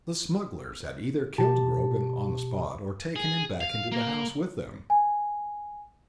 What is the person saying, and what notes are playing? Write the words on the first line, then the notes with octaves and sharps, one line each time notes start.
The smugglers had either killed Grogan on the spot or taken him back into the house with them.
B2 G4 A5
G#4
F5
A#3
G#5